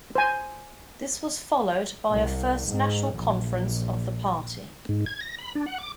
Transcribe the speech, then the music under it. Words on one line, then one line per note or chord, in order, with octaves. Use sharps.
This was followed by a First National Conference of the party.
C5 G#5
C2
G#2
A#1
G#2
G#6
A#6
B5
D4
F#5
D6